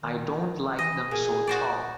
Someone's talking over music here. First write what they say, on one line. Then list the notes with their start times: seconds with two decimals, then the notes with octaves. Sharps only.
I don't like them so tall.
0.03 D#3
0.79 E3 D#5
1.11 A#2 G#4
1.47 F#4 C5 D5